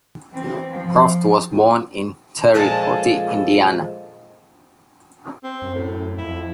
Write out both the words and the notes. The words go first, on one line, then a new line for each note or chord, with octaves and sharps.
Cruft was born in Terre Haute, Indiana.
E3 C4
F3
A#2 F3 G#3 A4 A#4 A5
C4
F#2
A2
F2 E4